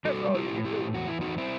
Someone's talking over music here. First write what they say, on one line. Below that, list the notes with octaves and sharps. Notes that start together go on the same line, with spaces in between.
all you can do.
G3 F#4 A4
E4 G4
A2
E4 G4
E2 F#4
E4
D#4 F#4
C4 E4